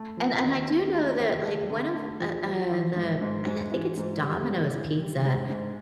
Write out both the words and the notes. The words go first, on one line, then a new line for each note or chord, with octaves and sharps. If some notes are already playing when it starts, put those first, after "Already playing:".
And and I do know that, like, one of uh, uh, the I I think it's Domino's pizza,
Already playing: A3
F3
D#2
D#2
A3
D#2
A3
D3
A3
F3
F3
E3
G#2
G#2
G#2
E3
G#2
G3
G#2
E3
G3
G#2
G#2